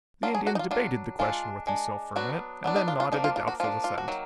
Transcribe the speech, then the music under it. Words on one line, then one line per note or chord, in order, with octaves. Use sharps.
The Indian debated the question with himself for a minute and then nodded a doubtful assent.
F#3 D4 F4
G#4
F#4
D#4
F4
F#3 D4 F4
G#3 D4 F4
G#3 D4
F#3 B3 D4 F#4
F#3 B3 D4
D#4
F4
F4
F3 A#3 D4 D#4
F4
F4
F#4
F3 A#3 D4 F4
F4
F#4
D#3 F#3 A#3